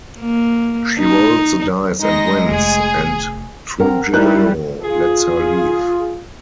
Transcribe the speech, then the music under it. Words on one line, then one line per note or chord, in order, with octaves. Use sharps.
She rolls the dice and wins, and Trujillo lets her leave.
A#3
D#4
G#3 D#4 A#6
F1 G#4
C4 A#4 F#5
G3 D#4 E4 A#4 F#6 G6
F4 G#4